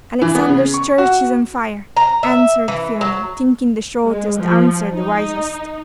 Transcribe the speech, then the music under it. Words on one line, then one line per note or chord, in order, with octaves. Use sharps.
'Alexander's church is on fire,' answered Philammon, thinking the shortest answer the wisest.
E3
B3
C#3
C#6
F#4
A#5
E5
E3
F#3
G#3
F3
D#4